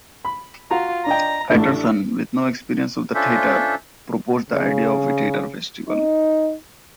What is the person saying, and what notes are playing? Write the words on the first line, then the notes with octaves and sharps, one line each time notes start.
Patterson, with no experience of the theatre, proposed the idea of a theatre festival.
B5
F4 F#4 A#5
D4 D#5 G5 A#5
A1 A2 A3 D4
C#4 D4 F4 A4 C5 E5
C#3
D#4